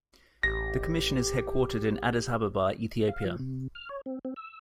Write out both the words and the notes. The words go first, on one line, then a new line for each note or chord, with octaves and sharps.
The Commission is headquartered in Addis Ababa, Ethiopia.
A1 G4 A#6
F5
F3
C3
F6
C#5
C4
C4
E6